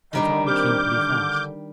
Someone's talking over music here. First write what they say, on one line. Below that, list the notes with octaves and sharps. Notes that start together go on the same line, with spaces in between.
"I thought we came pretty fast."
D#3 G3 D4 D#5 A#5
C4 G4 A#4 D6 F6 G6
D3